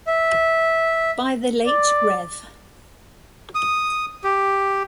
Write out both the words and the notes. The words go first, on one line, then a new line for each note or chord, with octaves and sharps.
By the late Rev.
E5
D5
D#6
G4